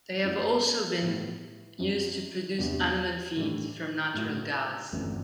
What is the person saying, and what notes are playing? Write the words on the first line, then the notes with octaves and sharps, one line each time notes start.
They have also been used to produce animal feed from natural gas.
F#2 F#3 A3 E4
A2 E3 G3 B3 E4
F#2 F#3 C4
E2 C3 G3 D4
A2 E3 G3 D4
A2 F#3 A3 E4
G1 F#2 E3 A3 C4